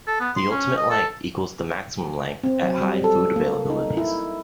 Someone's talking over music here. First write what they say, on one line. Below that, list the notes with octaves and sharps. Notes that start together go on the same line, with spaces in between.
The ultimate length equals the maximum length at high food availabilities.
A4
B3
C6
C#4
D#5
A4
C4
F#3
G3
A4
A#3
D#4
E4